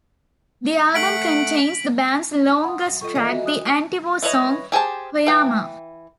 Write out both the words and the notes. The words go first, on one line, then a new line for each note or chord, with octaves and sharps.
The album contains the band's longest track, the anti-war song "Kuiama".
A3 F#5 B6 D7 F#7
F#5 C6 D#6
F#2 F#4
G3 F4 A4 D#5 C#6
D#3 E3 D5 D#5
F#4
D#6 F#6
E4 B4 C#5 D#5
G4 G#4 C5 A5
E3 G5